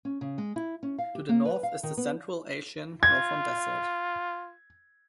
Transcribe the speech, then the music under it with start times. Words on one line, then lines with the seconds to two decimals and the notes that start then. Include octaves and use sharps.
To the north is the Central Asian northern desert.
0.05 C#4
0.21 C#3
0.38 G#3
0.56 E4
0.83 C#4
0.98 F5
1.15 G4
1.29 A#3
1.45 B4
1.63 F5
1.83 D#3
1.97 B3
3.03 F4 G#6